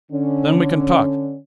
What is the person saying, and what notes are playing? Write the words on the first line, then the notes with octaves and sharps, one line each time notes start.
Then we can talk.
D3 C#4